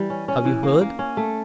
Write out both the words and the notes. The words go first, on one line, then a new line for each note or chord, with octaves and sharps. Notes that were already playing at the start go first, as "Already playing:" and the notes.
Have you heard?
Already playing: E3 G3
C#4
C#4
E3
A#3
A#3
C#4
A3